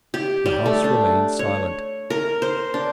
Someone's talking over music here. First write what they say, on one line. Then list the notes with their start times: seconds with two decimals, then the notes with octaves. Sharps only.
The house remained silent.
0.14 G4
0.46 G3
0.66 A3
0.84 D4
1.39 C#5
2.10 A#4
2.42 C5
2.74 D4